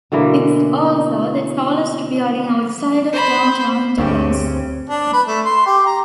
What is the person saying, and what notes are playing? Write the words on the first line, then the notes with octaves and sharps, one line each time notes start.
It's also the tallest building outside of Downtown Dallas.
B2 D3 E3 A#3
C5 B5
D2 G2 C#3 C4 G4
D4
B4
A3
C6
G4
A#5